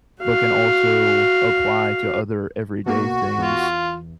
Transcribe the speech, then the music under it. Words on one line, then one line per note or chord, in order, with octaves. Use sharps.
but can also apply to other everyday things
F#4 F5
B2 A#3 F#4
E2 F4